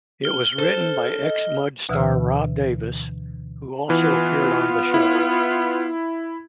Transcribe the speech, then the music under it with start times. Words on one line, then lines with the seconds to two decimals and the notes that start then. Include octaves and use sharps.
It was written by ex-Mud star Rob Davis, who also appeared on the show.
0.24 F6 G7
0.58 A4 C5
1.23 D#5
1.89 D2 B2 D3 E3 E6 F6
3.90 E3 B3 F4
4.94 E4